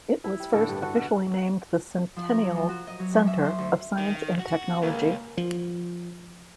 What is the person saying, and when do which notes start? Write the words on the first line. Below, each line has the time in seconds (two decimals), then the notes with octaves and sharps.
It was first officially named the "Centennial Centre of Science and Technology".
0.24 E4
0.40 G3
0.53 A2 D3 A4
0.69 G2
0.82 F#4 A4
0.95 B2
2.16 F3
2.29 A#4
2.43 F#3
2.56 F3
2.69 F#4
2.87 D#5
2.99 F#3
3.13 F#2
3.27 E5
3.45 C5
3.58 D2
3.98 D#3
4.39 F#4
4.82 C#2 A#3
5.37 F3